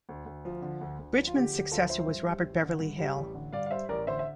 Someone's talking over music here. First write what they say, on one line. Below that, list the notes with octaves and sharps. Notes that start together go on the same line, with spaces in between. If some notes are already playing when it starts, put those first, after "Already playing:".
Bridgman's successor was Robert Beverly Hale.
D2
D2
F3
D3
D2
D2
F3
F4
D3 G4
D2 G4
D2 F4 A4
F3 C5 E5
G2
G3
A1
D3
G2
G3
A1
D3
G2 D5 F5
F5
G3 C5 E5
A1 A#4 D5
D3 C5 E5
E5